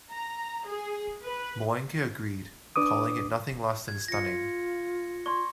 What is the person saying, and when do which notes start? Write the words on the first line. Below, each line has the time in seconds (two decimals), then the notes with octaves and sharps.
Moehnke agreed, calling it "nothing less than stunning".
0.11 A#5
0.66 G#4
1.23 B4
2.76 D4 B4 D6 D#6
3.88 G#6
4.08 F4 A#6 C#7
5.26 D5 C6 C#6